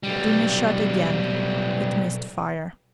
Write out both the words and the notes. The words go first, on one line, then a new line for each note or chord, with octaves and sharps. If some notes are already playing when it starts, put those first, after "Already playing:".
Dounia shot again: it missed fire.
B1 G3